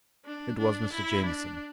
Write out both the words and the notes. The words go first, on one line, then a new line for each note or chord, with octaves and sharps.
It was Mr. Jamieson.
D4
D4
E4
D4